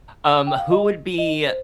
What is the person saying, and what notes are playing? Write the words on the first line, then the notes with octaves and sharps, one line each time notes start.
Um, who would be
G5
F5
D#5
D#5
C5